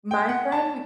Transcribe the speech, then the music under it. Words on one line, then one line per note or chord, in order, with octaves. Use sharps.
My friend,
G5
F#5
A5